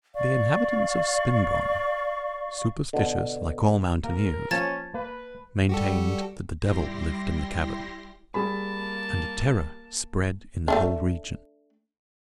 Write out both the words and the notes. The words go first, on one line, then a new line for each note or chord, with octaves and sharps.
But the inhabitants of Spinbronn, superstitious like all mountaineers, maintained that the devil lived in the cavern, and terror spread in the whole region.
D5 F5 C#6
B2 D3
A#3 A#4
F3 A#3 C#4 A5 G#6 A6
A#3 B4
G3 F#4 G4 A4
G3 E4 G4 C6 A#6
G3 A#3 G#4 A5 B5
A3 C#4 D4